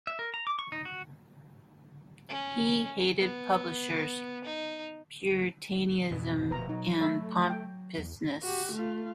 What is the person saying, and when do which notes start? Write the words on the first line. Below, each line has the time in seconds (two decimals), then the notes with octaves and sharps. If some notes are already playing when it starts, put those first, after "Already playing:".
He hated publishers, puritanism and pompousness.
0.07 E5
0.19 A#4
0.34 A#5
0.47 D6
0.59 C#6
0.72 D#4
0.85 F#4
2.29 C#4
3.20 B3
4.45 D#4
6.11 F2 G#2 B2 E3
6.51 F1 A#2 F3 B4 A#5
6.69 F#3 D#4
7.01 A3 E5 B5
7.50 G5
7.98 E2
8.42 F#4 G4
8.72 A3 F4